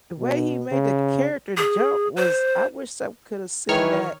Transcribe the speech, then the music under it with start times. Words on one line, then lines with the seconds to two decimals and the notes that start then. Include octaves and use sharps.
The way he made the character jump was I wish I could have seen that
0.20 B2
0.72 C#3
1.57 G#4
2.17 C5
3.69 D#3 E3 C#5 F6